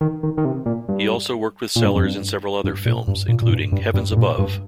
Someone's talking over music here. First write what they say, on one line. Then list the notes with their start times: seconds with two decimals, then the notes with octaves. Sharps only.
He also worked with Sellers in several other films, including Heavens Above!
0.01 D#3
0.23 D#3
0.37 D#3
0.45 C3
0.66 A#2
0.88 G2
1.76 A#2
1.85 G2
1.95 F2
2.04 G2
2.64 G2
2.85 A#2
3.08 G2
3.28 A#2
3.42 A#2
3.50 G2
3.72 G2
3.94 G2
4.12 G2
4.17 A#2
4.38 G2